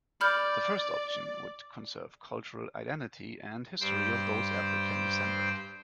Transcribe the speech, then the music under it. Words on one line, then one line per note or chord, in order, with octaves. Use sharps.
The first option would conserve cultural identity and history of those African descendant.
D5 B5 F6 G6
G2 C5 G5